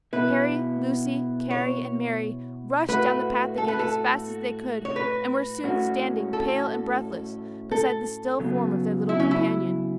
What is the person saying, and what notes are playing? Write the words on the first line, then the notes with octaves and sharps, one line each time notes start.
Harry, Lucy, Carry, and Mary, rushed down the path again as fast as they could, and were soon standing pale and breathless beside the still form of their little companion.
B2 B3 E4 B4
C#5
A2 A3 F#4 B4
A4
B4
A4
C#5
B4
A2 A3 C#4 F#4
A4
A4
C#3 F#3 B3
E4
C#4
E4